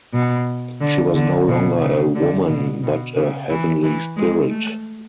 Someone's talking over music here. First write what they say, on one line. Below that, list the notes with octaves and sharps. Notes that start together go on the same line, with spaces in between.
She was no longer a woman but a heavenly spirit.
B2
D3
D3
B2
C#3
D3
B2
B2
C#3
E3
E3
G#3
A3